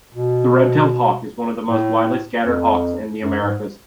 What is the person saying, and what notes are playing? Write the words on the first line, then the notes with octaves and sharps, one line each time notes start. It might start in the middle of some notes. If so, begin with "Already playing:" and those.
The red-tailed hawk is one of the most widely scattered hawks in the Americas.
B2
A2
F2
F#2
G#2